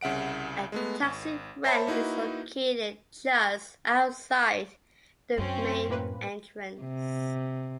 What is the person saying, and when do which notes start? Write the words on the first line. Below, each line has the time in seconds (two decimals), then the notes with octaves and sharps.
A taxi rank is located just outside the main entrance.
0.01 C2 C#3 E5 F#5 D7
0.72 G#3 A3 B3
1.02 G#1
1.64 C5 C#5 E5 A5 B5
1.87 A#3 D#4 E4 F#4 B4
5.38 F#2 C4 C#4
5.89 A2 A#3 B4
6.82 C3